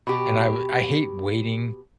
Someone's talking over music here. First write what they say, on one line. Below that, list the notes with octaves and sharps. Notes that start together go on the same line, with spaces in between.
and I uh, I hate waiting
B2 G4